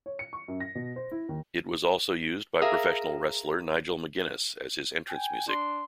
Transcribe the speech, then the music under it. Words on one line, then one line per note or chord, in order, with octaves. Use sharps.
It was also used by professional wrestler Nigel McGuinness as his entrance music.
C#5
C#7
C#6
F#2
A#6
B2
C5
E4
D#2
G#4 A#4 E5 F5
G5 G#5
D4 C6